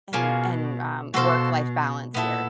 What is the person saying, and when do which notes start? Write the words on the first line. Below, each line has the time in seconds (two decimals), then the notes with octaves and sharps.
and and, um, work life balance here?"
0.13 B2 A#3 C#4 F4 G#4
1.14 B2 F#4 A4 C5 F5
2.14 A#2 B3 E4 A4